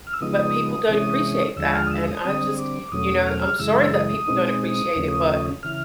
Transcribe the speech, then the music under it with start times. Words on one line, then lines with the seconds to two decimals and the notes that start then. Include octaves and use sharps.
But people don't appreciate that, and I just You know, I'm sorry that people don't appreciate it, but
0.07 F6
0.13 E6
0.21 C#3 F3 G#3 B3 D#4 D#6
0.89 C3 E3 G#3 C#4
1.57 D#2 D3 F3 G#3 E6
1.73 F6
1.87 D#6
1.91 E6
2.07 D#6
2.24 D3 G3 C4 D#6
2.58 D6
2.92 E2 B2 F#3 A3 C#4 D#6
3.26 F6
3.59 F#2 C#3 E3 G#3 E6
3.94 D#6
4.28 B2 G#3 C4 D#4
4.95 D#2 C#3 F3 A3 C#4
5.63 C#3 E3 F6